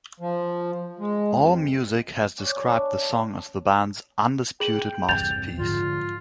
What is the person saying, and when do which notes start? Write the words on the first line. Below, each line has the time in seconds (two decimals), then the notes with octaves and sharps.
AllMusic has described the song as the band's "undisputed masterpiece".
0.20 F3
0.99 G#3
1.31 F2
2.38 C#5 D5 G#5
2.66 C#4 D4 E4 A4
4.60 G#4 G5 F#7
5.09 E2 G2 C3 G6 A6 F7
5.58 G#2 D3 F3 F4